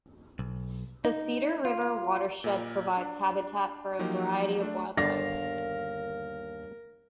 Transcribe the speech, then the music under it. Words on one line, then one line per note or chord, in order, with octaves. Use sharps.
The Cedar River Watershed provides habitat for a variety of wildlife.
B1
D#4
F4
A#2 A#4
D4
F3 F#3 A#3 D#4 G4
A3 D4
G1 D#2 D3 A#4 D5 F5 A#6